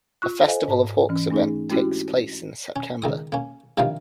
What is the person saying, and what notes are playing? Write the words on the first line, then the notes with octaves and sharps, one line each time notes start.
A 'Festival of Hawks' event takes place in September.
F4 C#6 F#6
A4 C5 D#5 F5 G#5
G#2 A5
E3 C#4
A3 C#4 D#4 G#4
G#3 C4 C#4 E4 F#4 G4
C#4
C#2 D#3 D#6
A#3 C#4
G2 C3 D#3 F3 G3 F5